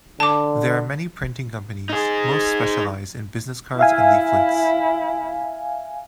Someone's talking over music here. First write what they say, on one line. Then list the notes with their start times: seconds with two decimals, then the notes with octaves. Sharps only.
There are many printing companies, most specialize in business cards and leaflets.
0.20 D3 A5 D6
1.89 D#4 G#4
3.79 E4 E5 F5 G#5